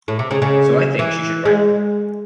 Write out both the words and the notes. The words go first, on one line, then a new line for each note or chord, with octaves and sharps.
So I think she should write more.
A2
C3
C#3
C#3
E3
G#3